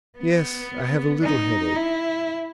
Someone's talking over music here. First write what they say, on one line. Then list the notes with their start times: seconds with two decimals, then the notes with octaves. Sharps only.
'Yes; I have a little headache.'
0.19 B3
1.24 D#4
1.76 E4